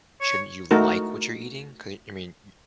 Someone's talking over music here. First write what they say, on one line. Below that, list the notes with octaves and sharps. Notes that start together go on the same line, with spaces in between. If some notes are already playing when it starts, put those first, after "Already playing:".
shouldn't you like what you're eating? 'Cau I mean, y
C#5
A3 D#4 F#4 A#4